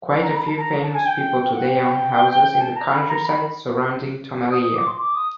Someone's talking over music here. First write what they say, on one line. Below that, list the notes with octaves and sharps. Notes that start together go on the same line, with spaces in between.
Quite a few famous people today own houses in the countryside surrounding Tomelilla.
A#5
B5
A5
A#5
A5
G#5
G5
F#5
G5
A5
A#5
B5
A#5
B5
D#6
D#6
D6
C6
D6
D#6